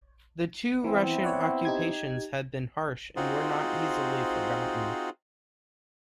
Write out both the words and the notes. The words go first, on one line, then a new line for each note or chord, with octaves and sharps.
The two Russian occupations had been harsh and were not easily forgotten.
E3 B3 C4 E4
C#5 D5 F#5
D#4 G4 G#6
C4 D#4 F4 F#4 G#4 C5